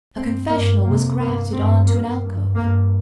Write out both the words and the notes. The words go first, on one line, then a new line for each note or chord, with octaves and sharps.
A confessional was grafted on to an alcove.
G2 C4
G2 A#3
F2 C3 A#3
G2 A#3
G2 C4
G2 A#3
G2
G2 A#3